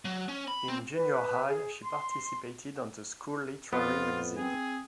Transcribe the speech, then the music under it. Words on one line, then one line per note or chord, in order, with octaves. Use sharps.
In junior high, she participated on the school literary magazine.
F#3
C#4
B5
C4
B4
G#4
C6
F2 B3 F4
C4 G#4